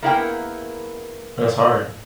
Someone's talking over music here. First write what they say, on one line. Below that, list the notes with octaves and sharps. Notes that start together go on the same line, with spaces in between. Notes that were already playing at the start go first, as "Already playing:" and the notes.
but it's hard.
A#3 B3 E4 G#4 A#4 G5